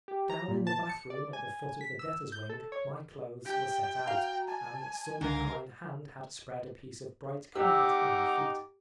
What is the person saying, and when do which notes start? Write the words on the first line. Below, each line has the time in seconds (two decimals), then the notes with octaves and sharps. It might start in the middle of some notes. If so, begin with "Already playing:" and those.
Down in the bathroom at the foot of the debtors' wing my clothes were set out, and some kind hand had spread a piece of bright carpet for my feet.
0.08 G4
0.30 A#5
0.48 A#2
0.67 A5
0.89 C#7
1.10 D5
1.33 G#5
1.81 B6
1.99 E6
2.32 G6
2.50 A4
2.72 C#5
3.45 G4 G5
4.07 F#4 F5 A#5
4.48 G#5 A5
5.21 C#2 G#2 D3 A#4 F5
7.55 C4 D#4 G4 F#5 D6 E6